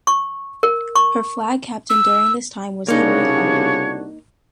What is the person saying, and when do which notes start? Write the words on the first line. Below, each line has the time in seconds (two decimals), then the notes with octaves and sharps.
Her flag captain during this time was Henry Harwood.
0.07 C#6
0.63 A#4
0.95 C#6
1.90 E6
2.88 C2 C#3 A#3 D4 D#4 F#4 C#5